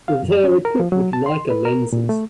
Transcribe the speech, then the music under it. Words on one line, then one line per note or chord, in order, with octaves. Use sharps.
They are equipped with Leica lenses.
F5
F#2
C#4
A#4
F3
F#3
A5
C6
B4
A#4
A#2
A3